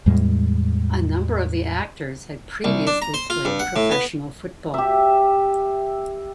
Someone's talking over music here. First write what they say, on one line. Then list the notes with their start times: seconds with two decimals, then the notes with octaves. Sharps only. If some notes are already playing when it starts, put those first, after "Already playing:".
A number of the actors had previously played professional football.
0.06 E2 A2 G3 G#3
2.64 C2
2.87 D4
3.02 A#5
3.14 C5
3.30 F4
3.45 G2
3.59 F#5
3.76 A2
3.91 B3
4.74 G4 E5